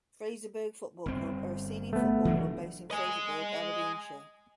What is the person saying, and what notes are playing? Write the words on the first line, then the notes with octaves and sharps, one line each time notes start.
Fraserburgh Football Club are a senior football club based in Fraserburgh, Aberdeenshire.
G1 C4
A3 B3
E3 F#3 D4
D#5 G#5